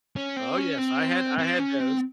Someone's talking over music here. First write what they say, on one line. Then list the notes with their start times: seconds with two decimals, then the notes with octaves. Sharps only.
Oh, yes, I had I had those.
0.16 C#4
0.37 C4
0.58 C#4
0.78 C4
1.39 C4
1.59 C#4
1.80 C4